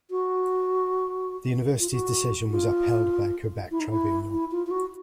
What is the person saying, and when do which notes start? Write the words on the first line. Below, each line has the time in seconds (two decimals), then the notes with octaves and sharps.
The university's decision was upheld by a Quebec tribunal.
0.11 F#4
1.80 F4
1.91 F#4
2.51 F4
3.71 E4
3.80 D#4
3.90 E4
4.31 E4
4.51 F4
4.67 F4
4.71 F#4